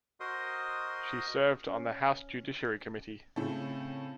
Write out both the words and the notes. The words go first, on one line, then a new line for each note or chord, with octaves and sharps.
She served on the House Judiciary Committee.
F#4 A#4 C5 D#5 C6 D#6
C#4
A2 C#3 A3 C4